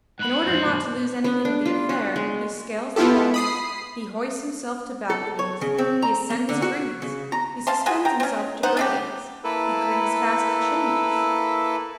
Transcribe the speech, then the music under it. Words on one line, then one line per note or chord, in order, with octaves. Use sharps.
In order not to lose anything of the affair, he scales the walls, he hoists himself to balconies, he ascends trees, he suspends himself to gratings, he clings fast to chimneys.
G#2 F#5 B5
A1 F2 C5
F#2 A#2 D#3
B3
D4
F4
F#4
G#3
B3 E4 F4 G4 A4
B5 D#6 C7
A4
C#5
C#3
C4
A#5
A#3
D3
F#4
C#3
A#5
F5 A5 C6
F4 F#4 G#4
G5 A#5
C4 C#4
B3 D#4 C5 F#5
C#3 A3 G4
A#3 E4 A4 B4